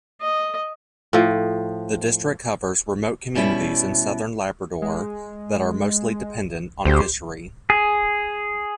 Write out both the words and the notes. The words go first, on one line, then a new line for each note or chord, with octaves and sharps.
The district covers remote communities in Southern Labrador that are mostly dependent on fishery.
D#5
A2 F3
B2 G3 C#4 E4
G#3
D2 G4 C5
G#4